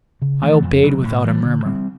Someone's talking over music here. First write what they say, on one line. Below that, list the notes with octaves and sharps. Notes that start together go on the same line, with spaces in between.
I obeyed without a murmur.
C#3
E3 A3
F2
C#3 F#3
A2
E3 G3
D3
G3 C4